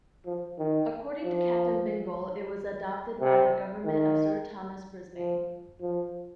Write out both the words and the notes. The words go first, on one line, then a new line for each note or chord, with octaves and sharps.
According to Captain Bingle it was adopted by the Government of Sir Thomas Brisbane.
F3
D#3
F3
C3
D#3
F3
F3